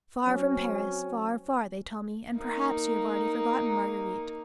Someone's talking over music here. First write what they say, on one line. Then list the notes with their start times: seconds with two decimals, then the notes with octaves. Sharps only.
Far from Paris, far, far, they tell me, and perhaps you have already forgotten Marguerite.
0.24 F#3 C4 C#4
2.35 A#3 D#4